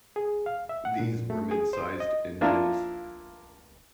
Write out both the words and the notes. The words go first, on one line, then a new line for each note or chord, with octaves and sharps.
These were mid-sized engines.
G#4
F5
E5
F#5
A#2
A3
G#4
C5
D#5
F3 A#3 D4 E4 F4